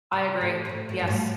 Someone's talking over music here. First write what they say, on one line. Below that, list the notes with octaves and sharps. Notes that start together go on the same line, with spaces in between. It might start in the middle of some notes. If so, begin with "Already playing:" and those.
I agree. Yes.
C3
A2
C3
A2
A2
G2
A2